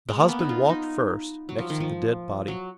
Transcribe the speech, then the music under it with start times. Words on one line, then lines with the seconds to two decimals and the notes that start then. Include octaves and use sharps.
The husband walked first, next to the dead body.
0.09 G#3
0.19 A#3
0.29 B3
0.39 D#4
0.49 F4
0.69 D#4
1.49 F#3
1.58 F3
1.70 D#3
1.80 F3
2.48 F#3